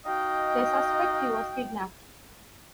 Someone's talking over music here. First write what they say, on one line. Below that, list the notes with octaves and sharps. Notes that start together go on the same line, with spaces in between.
They suspect he was kidnapped.
D#4 F#4 D#5 F5 G5